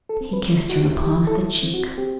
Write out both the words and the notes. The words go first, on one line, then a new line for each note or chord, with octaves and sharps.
He kissed her upon the cheek.
A4
C4
B4
E4
F#4
G4
E4
G4
E4 A4
C4
F#4
C4 G4